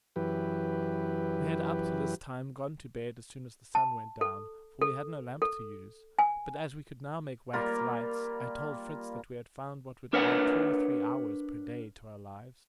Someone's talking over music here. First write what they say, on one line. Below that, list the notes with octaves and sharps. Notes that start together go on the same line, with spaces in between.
We had up to this time gone to bed as soon as the sun went down, for we had no lamp to use; but as we could now make wax lights, I told Fritz that we had found what would add two or three hours per day to our lives.
F#2 E3 G4 B4
A5
A4
A4
A4
G#5
G3 A#3 F4 A#4
D4 A#4 B4 C#5 F#5